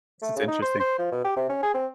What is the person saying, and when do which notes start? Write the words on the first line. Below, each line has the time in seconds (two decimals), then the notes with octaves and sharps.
This is interesting.
0.22 A3
0.36 C#3
0.48 D#4
0.62 C5
0.80 C5
0.99 F3
1.12 B2
1.24 G4
1.36 C3
1.49 C#4
1.62 G#4
1.74 C4